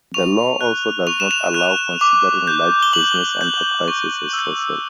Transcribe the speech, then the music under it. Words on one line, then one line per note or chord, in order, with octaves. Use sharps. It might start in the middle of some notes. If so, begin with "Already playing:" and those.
The law also does not allow considering large business enterprises as social.
C#6 F7
F#6
C#6 F7
E7
F7
F#6
D6
G6
G7
D6 F#7
G6
C#6
E6
G6